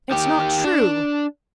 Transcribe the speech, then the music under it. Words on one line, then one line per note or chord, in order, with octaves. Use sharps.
"It's not true!"
D#3 G4
D4